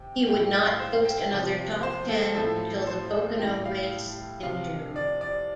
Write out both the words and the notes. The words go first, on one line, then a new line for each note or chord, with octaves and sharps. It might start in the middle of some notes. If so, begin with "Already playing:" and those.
He would not post another top ten until the Pocono race in June.
Already playing: C3 G5
A2 G3 G5
G5
G5
F5
C5
F5
G5
G5
C3 F3
C5
A4
A2 F3 A4
C5
A2 G3 G5
F5
C3 F3 F5
D5
D5